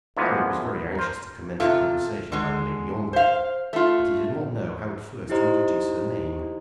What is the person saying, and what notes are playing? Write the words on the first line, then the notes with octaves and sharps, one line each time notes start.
Harry was very anxious to commence a conversation about Lady Ongar, but he did not know how at first to introduce her name.
D2 E3 F3 G#3 A#3 B3
A#4 C5
C3 F4 A4
D3 G#3
C5 F5
A3 F4
D#4 E4 G4 C5 D#5 A#5